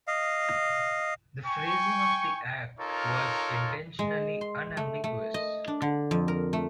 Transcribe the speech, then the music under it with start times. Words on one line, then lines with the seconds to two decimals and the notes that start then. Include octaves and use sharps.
The phrasing of the act was intentionally unambiguous.
0.07 D#5 F5
1.46 G5 G#5 C#6
2.80 D#4 F4 A4 A#4 C#5
3.99 G#3
4.41 C6
4.77 A3
5.04 A3
5.34 D#5
5.68 D4
5.82 D3
6.11 F2
6.28 A#4
6.53 A3